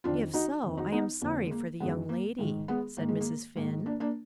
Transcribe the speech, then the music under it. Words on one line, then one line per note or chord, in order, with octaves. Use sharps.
"If so, I am sorry for the young lady," said Mrs. Finn.
F2 D#3 D4 F4
D#4 F#4
F2 D#3
D#4 F#4
B3 D#4
F2 D3 A#3
G#3
A#3
F#2 D#3 G#3 B3
A#3
G#2 D#3 G#3
G#3 B3
G#2 D#3 A#3
G#3
A#3
G#2 D#3 A#3
A#3 D4
A#3 D4